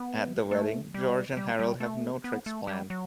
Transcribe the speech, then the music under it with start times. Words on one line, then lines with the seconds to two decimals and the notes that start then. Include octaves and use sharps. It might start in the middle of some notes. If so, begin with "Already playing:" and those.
At the wedding, George and Harold have no tricks planned.
Already playing: B3
0.51 A3
0.94 G3
1.37 G3
1.59 G3
1.80 A3
2.24 B3
2.46 A3
2.67 G3
2.90 F#3